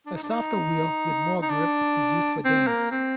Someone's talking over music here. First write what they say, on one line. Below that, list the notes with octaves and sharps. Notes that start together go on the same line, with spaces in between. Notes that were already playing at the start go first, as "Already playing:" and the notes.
A softer wheel with more grip is used for dance.
D4
D#4
D4
D#4
D#4
D4
C4
A#3
C4